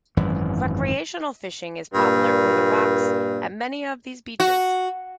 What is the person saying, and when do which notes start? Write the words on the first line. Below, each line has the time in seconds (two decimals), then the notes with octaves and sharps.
Recreational fishing is popular from the rocks at many of these beaches.
0.17 G#1 F#2 E3
1.94 G2 A#2
4.40 F#4